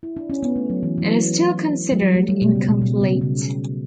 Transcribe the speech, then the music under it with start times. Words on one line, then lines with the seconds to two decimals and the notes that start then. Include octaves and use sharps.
It is still considered incomplete.
0.03 E4
0.17 D4
0.30 C#4
0.43 B3
0.56 A3
0.70 F#3
0.83 E3
0.98 E3
1.02 F#3
1.92 F#3
2.02 G3
2.16 A3
2.29 G3
2.42 B2
2.55 C#3
2.69 B2
2.82 B2
3.01 C#3
3.21 C#3